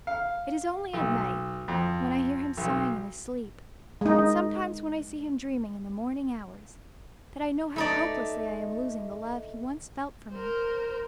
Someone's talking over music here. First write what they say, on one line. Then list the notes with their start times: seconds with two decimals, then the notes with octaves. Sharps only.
It is only at night, when I hear him sighing in his sleep, and sometimes when I see him dreaming in the morning hours, that I know how hopelessly I am losing the love he once felt for me.
0.07 F5
0.93 B1
1.68 F2
2.57 B1
4.01 G#3 D#4
7.76 A3 D#4 D5
10.32 A#4 C5